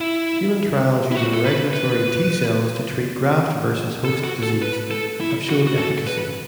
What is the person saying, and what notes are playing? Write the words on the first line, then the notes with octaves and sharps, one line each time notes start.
Human trials using regulatory T cells to treat graft-versus-host disease have shown efficacy.
E4
E4
F#4
A4
B4
B4
A4
F#4
A4
B4
A4
E4
F#4
F#4
A4
B4